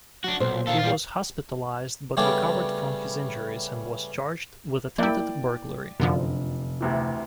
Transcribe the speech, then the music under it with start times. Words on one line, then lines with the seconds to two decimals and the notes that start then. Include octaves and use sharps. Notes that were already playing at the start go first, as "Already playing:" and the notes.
He was hospitalized but recovered from his injuries and was charged with attempted burglary.
0.24 F#3 D4 F#4
0.40 B1 A#2 C5
0.67 D#3 A4 F5
0.79 G3 F4
2.17 C#3 G3 A3 B3 C#4 D4
4.98 A#3 E4 D5 G5
6.00 F1 F#2 D3 F3
6.81 D2 C3 E3